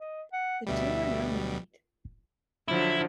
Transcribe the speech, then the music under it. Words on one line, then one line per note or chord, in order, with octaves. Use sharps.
The two are now married.
D#5
F#5
D2 B2 G3 E5
D3 F3 F#3 E4